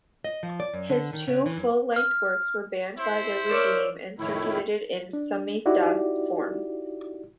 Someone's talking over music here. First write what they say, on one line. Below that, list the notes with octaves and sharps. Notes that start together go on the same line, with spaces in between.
His two full-length works were banned by the regime and circulated in "samizdat" form.
D#5
F3
D5
F#2
D3
D#3
C#3
E3
F#2
F6
E4 C5
A#4 C#5 D5 E6
F2 A2 D#3 A3 E4
D4
D#4 E4 F#4 G4 D5